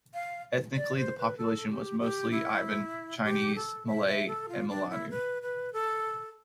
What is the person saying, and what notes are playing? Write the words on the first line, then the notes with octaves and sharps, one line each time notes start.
Ethnically, the population was mostly Iban, Chinese, Malay, and Melanau.
F5
D5
C5
B4
A4
G4
G4
E4
G4
A4
E5
E5
A4
F4
D4
E4
B4
B4
A4